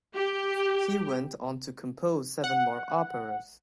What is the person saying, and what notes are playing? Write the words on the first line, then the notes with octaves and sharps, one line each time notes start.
He went on to compose seven more operas.
G4
F#5